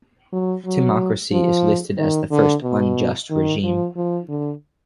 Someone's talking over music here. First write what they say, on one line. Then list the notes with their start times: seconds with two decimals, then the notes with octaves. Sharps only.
Timocracy is listed as the first "unjust" regime.
0.33 F#3
0.66 F#3
1.32 F3
1.98 D#3
2.31 D3
2.63 B2
3.31 D#3
3.64 F3
3.96 F3
4.29 D3